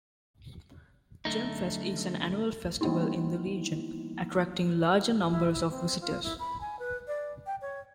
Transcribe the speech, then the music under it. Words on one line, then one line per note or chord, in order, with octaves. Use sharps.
GemFest is an annual festival in the region, attracting large numbers of visitors.
F#2 D3 A3 D#4
E3 G3 A#3 B3 D#4 E4
E4
E4
C4
F4
E4
B5
G#5
B4
D5
G5
C#5